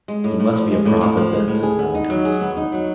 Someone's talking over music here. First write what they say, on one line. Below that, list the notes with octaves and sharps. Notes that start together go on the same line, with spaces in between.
"He must be a prophet, then," said Valentine, smiling.
G#3
A2
A2
F3
G#3
A2
A2
F3
G#3
A2
G#4
B3
D#4
F#3
G#4
B3
D#4
F#3